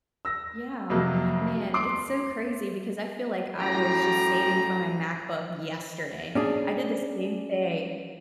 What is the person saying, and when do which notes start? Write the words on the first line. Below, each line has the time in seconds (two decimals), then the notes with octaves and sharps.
Yeah. Man, it's so crazy because I feel like I was just saving for my MacBook yesterday. I did the same thing,
0.25 E6 A#6
0.90 F2 C3 F#3 A#3
1.74 C6 D6 C7 D7
3.59 F#2 A2 F#4 G4 A#5
6.35 C#4 D4 G#4